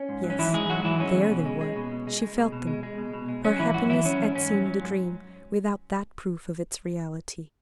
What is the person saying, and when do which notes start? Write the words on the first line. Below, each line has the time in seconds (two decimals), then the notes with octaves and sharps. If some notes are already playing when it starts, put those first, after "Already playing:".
Yes; there they were; she felt them. Her happiness had seemed a dream without that proof of its reality.
Already playing: C#4
0.09 G#2
0.23 F#3
0.30 C#4
0.39 E3 F#3 E4
0.53 G#2 G#3 G#4
0.69 G#2 F#3 F#4
0.85 E3 F#3 E4
1.00 G#3 C#4
1.15 B2
1.31 B2
1.45 G#3
1.61 G#3
1.76 B2
1.92 B2
2.07 G#3
2.22 G#3
2.37 B2
2.52 B2
2.67 G#3
2.83 G#3
2.98 B2
3.13 B2
3.29 G#3
3.44 F#3 C#4
3.59 G#2 E3 E4
3.74 G#2 F#3 F#4
3.89 E3 F#3 E4
4.05 F#3 C#4
4.20 G#2
4.35 G#2 C#4
4.50 F#3
4.66 F#3
4.81 G#2